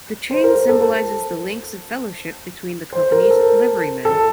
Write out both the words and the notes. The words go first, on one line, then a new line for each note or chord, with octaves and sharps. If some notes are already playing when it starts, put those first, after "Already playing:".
The chain symbolises the links of fellowship between the Company's liverymen.
C5
A#4
A#4
A4
C5
A#4
A4
A4